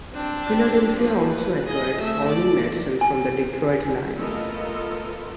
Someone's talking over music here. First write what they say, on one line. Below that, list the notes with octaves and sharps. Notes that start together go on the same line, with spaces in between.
Philadelphia also acquired Ollie Matson from the Detroit Lions.
C4 D4
F3
B4
G#4 D#5
A3 E5
D5
G#5
A3 B3 F4 A4 A#4 D#5